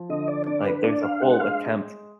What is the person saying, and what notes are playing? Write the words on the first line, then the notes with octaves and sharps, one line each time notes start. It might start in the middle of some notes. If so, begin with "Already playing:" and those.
Like, there's a whole attempt
Already playing: F3
D3 D#5
D5
D4 D5
B4
D4 D5
F5
G#3 F#5
F5